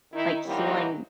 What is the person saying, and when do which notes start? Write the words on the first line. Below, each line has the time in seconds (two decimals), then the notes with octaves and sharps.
like healing
0.13 D#3 D#4 E4
0.46 E3 F#3 G3 A#3 C4 D#4